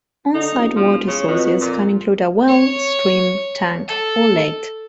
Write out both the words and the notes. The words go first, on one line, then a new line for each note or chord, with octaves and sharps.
On-site water sources can include a well, stream, tank, or lake.
D3 D#4
E1
F3
C#3
F2 B2
A#2
C#5
A4